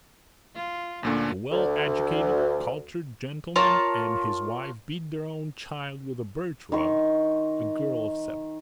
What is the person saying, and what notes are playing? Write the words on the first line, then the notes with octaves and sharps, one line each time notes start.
A well-educated, cultured gentleman and his wife beat their own child with a birch-rod, a girl of seven.
F4
D2 A#2 D3 A#3 C#4 D4
D2
F4 A#4 C#5 A5
D#3 C6 C#6